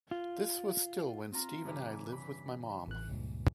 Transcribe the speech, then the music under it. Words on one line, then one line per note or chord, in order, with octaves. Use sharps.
This was still when Steve and I lived with my mom.
F4
C4 F4 A#5
G2 C#3 E3
B5
A1 F#6
C#2 G2 A#2